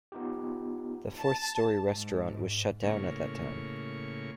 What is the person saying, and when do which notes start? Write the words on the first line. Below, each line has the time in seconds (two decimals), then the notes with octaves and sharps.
The Fourth Story restaurant was shut down at that time.
0.12 B3 D#4 F4 G4
1.19 A5
1.86 G#2
2.83 A2 C#3 A#3 C#6